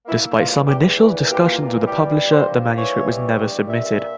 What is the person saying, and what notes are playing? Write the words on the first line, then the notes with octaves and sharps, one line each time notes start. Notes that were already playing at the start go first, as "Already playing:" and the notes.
Despite some initial discussions with a publisher, the manuscript was never submitted.
A#3 E4
E2 F4
E2 G4
E3
A#3 G4
F4
E2
G3 G4
G2
C5
A#3
E3 C#5
G3
G2
A#2 E5
A#2